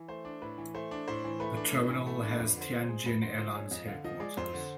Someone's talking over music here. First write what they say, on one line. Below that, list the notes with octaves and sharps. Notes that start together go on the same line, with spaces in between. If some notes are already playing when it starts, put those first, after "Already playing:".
The terminal has Tianjin Airlines headquarters.
Already playing: E3
A3 C5
D4
A2 B4
E3
A3 C5
D4
A2 C5
E3
A3 B4
D4
A2
E3
A3
D4
F2 B4
D3
C5
F3
C5
G#3
F2 B4
D3 C5
F3 C5
G#3 C#5
F2 D#5
D3 F5
F3 D#5
G#3 D5
F2 C5
D3